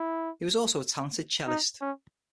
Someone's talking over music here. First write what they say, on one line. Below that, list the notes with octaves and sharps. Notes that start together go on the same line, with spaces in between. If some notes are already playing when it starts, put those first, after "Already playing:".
He also was a talented cellist.
Already playing: E4
D#4
C#4